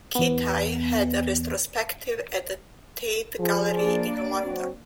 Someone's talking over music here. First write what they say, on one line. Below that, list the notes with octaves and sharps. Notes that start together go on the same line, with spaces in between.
Kitaj had a retrospective at the Tate Gallery in London.
E2 B3
F3 G#4
A#3 D4 D5
F#3 C4 F#4